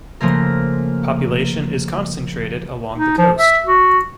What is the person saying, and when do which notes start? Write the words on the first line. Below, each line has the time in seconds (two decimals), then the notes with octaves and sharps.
Population is concentrated along the coast.
0.20 C#3 F3 A3 A#3 A#4
2.98 D#4
3.18 F3
3.39 E5
3.65 F#4